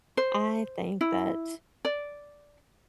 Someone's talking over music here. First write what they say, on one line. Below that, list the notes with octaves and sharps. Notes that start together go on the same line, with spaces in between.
I think that
C5
E4
D5